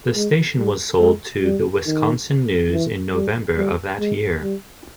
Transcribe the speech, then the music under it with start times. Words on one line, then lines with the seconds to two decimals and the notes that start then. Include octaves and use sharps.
The station was sold to The Wisconsin News in November of that year.
0.15 G#3
0.58 G3
0.99 G#3
1.43 G3
1.86 D#3
2.71 E3
3.14 G3
3.57 G3
3.99 G#3
4.42 G3